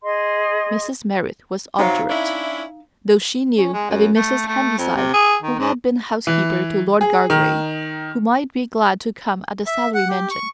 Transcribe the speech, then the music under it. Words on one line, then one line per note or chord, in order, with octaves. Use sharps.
Mrs. Merrit was obdurate, though she knew of a Mrs. Handyside who had been housekeeper to Lord Gargrave, who might be glad to come at the salary mentioned.
G#4 D#5 C6
C3 F#3 D#4 F5
C#4 D4 E4
C#4
G#3
F#2
A3
A3
F2
C3
G#4
D#3
G#2
E3
G#4
D#3
E5
F#5
G4
C#6